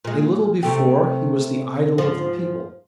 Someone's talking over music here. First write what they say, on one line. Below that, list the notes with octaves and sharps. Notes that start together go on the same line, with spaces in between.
A little before, he was the idol of the people.
A#2 G#3
C3 A3 G4
G#2 F3